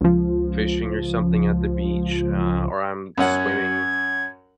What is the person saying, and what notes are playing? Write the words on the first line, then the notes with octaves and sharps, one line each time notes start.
fishing or something at the beach, uh, or I'm swimming
C#2 F3
F#2 C#4 F#5 G#6